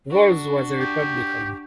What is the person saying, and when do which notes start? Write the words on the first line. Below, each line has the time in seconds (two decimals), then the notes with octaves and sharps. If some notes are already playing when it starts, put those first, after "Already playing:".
Volz was an Republican.
0.10 D4 F#4
0.80 G4